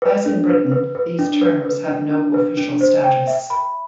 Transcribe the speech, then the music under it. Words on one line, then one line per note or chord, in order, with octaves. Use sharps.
As in Britain, these terms have no official status.
B4
D4
B4
B4
B4
D4
B4
B4
D4
D4
B4
D4
C5
G5
E5
B5